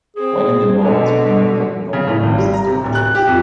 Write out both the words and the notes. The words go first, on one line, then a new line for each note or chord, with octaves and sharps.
While in the Lords, Greenwood held a number of business directorships.
C4 G#4
B2 D3 G#3
C#3
A2
G#1
G3
A#5
C3
D1
F#6
G4
F2